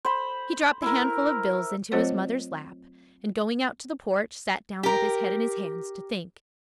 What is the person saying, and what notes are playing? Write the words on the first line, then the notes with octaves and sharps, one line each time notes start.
He dropped the handful of bills into his mother's lap, and, going out to the porch, sat down with his head in his hands, to think.
C5 B5
E4 A#4
F#3 A3 C4 F4 C5 C#5
G4 A#4